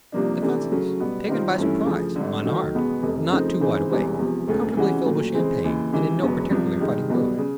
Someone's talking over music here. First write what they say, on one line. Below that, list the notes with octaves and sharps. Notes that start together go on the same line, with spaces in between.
Defenceless, taken by surprise, unarmed, not too wide awake, comfortably filled with champagne and in no particularly fighting mood.
C2 C3 F3 A#3 D4
C3 E3 A3 D4
C#3 F#3 A3 C#4
B2 G3 B3
C3 D#3 G3 C4 F4
G2 E3 A3 C#4 E4
D2 C#3 F3
G#1 G2 D3
D#3 F#3 A3
E2 B2 G#3 B3
F1 F2 C3
C#3 F3 A3 C4 D#4
C#3 E3 G#3 C4 D#4
E1 E2 C3 E3 G3
E2 C3 F3
E1 D2 C#3
C3 E3 G#3 C#4 F#4
A#2 F#3 A3
C#3 E3 G#3 C4
D#2 C#3 E3
C#2 C3 E3
E1 E2 B2 F#3 B3
C2 C3 F3
G2 D#3 G#3
B1 B2 G3 B3
C#3